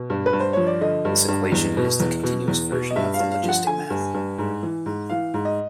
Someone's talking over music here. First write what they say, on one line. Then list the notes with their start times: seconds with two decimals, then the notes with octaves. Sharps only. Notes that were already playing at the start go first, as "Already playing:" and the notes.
This equation is the continuous version of the logistic map.
Already playing: B2
0.10 G2
0.26 B4
0.33 G2
0.40 C5
0.53 F3 C#5
0.67 D5
0.81 D3 D#5
1.05 G2
1.28 G2
1.52 E2
1.77 B2
2.00 E2
2.24 B2
2.48 E2
2.72 B2
2.91 D#5
2.96 G2 E5
3.14 F5
3.20 G2
3.32 F5
3.43 F3
3.49 F#5
3.67 D3 G#5
3.90 G2
4.14 G2
4.38 G#2
4.63 E3
4.86 G#2
5.09 E3 F5
5.34 G#2
5.45 D#5